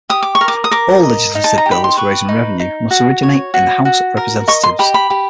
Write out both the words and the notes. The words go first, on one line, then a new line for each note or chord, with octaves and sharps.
All legislative bills for raising revenue must originate in the House of Representatives.
G4 D#6
D6
C#6
A#4
D6
D#6
A#4 D6
D#5
D#4
A5
A#5
G4
B5
C6
B4 C#6
D#4
D#4
F#4
C#5
F#4
F#4
A#4
D#5 C#6
C6
G4 B5
B5
G4